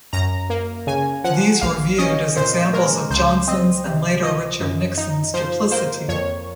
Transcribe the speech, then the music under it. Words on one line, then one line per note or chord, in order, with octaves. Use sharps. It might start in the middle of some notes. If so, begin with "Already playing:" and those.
These were viewed as examples of Johnson's and later Richard Nixon's duplicity.
F#2 A#5
A#3
C#3 G#5
F3 F#5
A#1 F5
C#4 D#5
A#2 C5
G#3 A#4
C#2 C5
C4 D#5
C3
F3 D#5
F#2
D#4
F3 C5
A#3 C5
F2 C#5